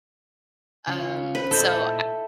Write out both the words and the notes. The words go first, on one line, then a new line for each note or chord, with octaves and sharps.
Um, so I
C#3 C#4 F4
B4 C5
A#2 E4 A4 D#5 A5 G6
E5 A5